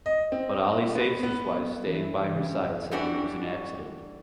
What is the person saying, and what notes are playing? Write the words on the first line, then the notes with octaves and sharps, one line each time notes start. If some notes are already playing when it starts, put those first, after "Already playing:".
But Ali saves his wife staying by her side saying it was an accident.
D#5
C4
B3
B3
E3
C#3
E3 G3 C#4 D4 F#4